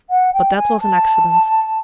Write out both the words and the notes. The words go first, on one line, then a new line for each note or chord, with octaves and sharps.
But that was an accident.
F#5
G5
G#5
A5